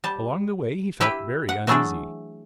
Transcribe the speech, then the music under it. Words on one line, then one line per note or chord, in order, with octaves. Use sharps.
Along the way he felt very uneasy.
G3 A5
E4 G4 B4 E5
F#5
E3 F#3 A3 D4 G#4 A4